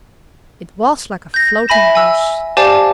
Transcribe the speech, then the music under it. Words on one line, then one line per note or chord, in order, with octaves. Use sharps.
It was like a floating house.
G6 A#6
E5 G#5 B5 A#6 E7
G#5 E6
G4 C5 D5 F5 G#5 A5